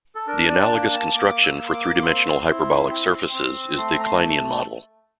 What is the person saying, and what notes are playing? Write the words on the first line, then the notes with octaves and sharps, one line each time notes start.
The analogous construction for three-dimensional hyperbolic surfaces is the Kleinian model.
A4
D4 A#4
D5
A5
A#3 G5
A5
A#3 D6
E6
A#3
C6
D6
D6
C4 C6
E4
C4
C4
A3 C6
A#5
C6
A#5